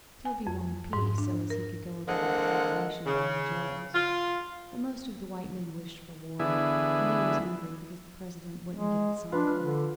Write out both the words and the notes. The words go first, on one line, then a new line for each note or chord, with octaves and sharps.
Toby wanted peace so as he could go about the Reservation buying his oils. But most of the white men wished for war, and they was angry because the President wouldn't give the sign for it.
G#5
F2
G#2
D4
A#4
D3 G#3 A#3 C4 F#5
C#3
F4
D3 E3 B3 E4 G#4
G#3
D4 F4 B4
F6
D3